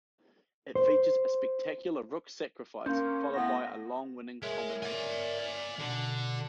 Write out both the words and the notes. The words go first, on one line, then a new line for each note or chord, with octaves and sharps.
It features a spectacular rook sacrifice followed by a long winning combination.
C5
A#3 C#4 A#4 F5 C6 G6
A2 B3 A#6
G#3 A#4 C#5 E5
D5 G#5
B2 D3